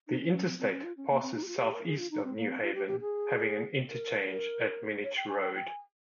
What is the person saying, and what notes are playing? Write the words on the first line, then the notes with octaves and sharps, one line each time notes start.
The interstate passes southeast of New Haven having an interchange at Minnich Road.
D#4
C#4
C#4
C4
C4
C#4
F4
C#4
A#3
C4
D#4
G4
F4
G#4
G4
A#4
G#4
F4
D#4
C4
A#3
C4
F4
G4
G4
G#4
A#4
A#4
C#5
G5
G#5
G5
G5
G#5